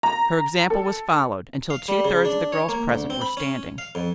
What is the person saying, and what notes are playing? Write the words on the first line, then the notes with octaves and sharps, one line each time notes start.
Her example was followed, until two thirds of the girls present were standing.
A#5
A4
F5
G3
C#3
D4
C#5
A#3
D2
C4
B5
C#4
F5
F2